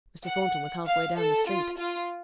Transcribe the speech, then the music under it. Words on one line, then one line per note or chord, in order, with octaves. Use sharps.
Mr. Thornton was half way down the street.
F#5
F5
A4
F4
F4